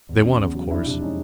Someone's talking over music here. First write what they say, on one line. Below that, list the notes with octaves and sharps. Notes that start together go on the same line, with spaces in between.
They won, of course.
E2
C#3
E2
F#3
F2 D4 E4
C3 D4 E4
G#3 C#4 D#4